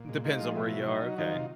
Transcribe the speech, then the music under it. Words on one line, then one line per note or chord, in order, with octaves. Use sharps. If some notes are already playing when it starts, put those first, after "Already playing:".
Depends on where you are? Okay.
Already playing: A#2
G#3
G#3 D#4 F4
F3
B2 E4
F#3
F#3 D#4
F#3
D#3 D#4 F4
C3